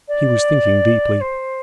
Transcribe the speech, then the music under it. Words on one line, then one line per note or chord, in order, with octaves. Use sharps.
He was thinking deeply.
D5
C5